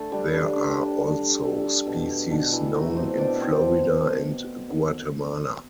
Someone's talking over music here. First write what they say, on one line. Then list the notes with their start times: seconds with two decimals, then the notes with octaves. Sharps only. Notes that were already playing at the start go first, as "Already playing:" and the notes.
There are also species known in Florida and Guatemala.
Already playing: D3 A3 A4
0.12 G3 D4
0.34 D4
0.56 D3
0.99 G3
1.43 A3
1.87 B2
2.30 B2 D4
2.52 E3 E4
2.74 F#3 A3 F#4
2.96 C4 C5
3.18 B2 D4 D5
3.40 C4 C5